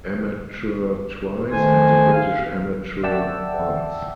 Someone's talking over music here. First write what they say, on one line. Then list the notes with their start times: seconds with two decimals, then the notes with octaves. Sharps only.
Amateur twice, and the British Amateur once.
1.51 D#3 A3 C5 G#5
2.12 F5
3.03 D5 E5 F#5 G5 A5 E6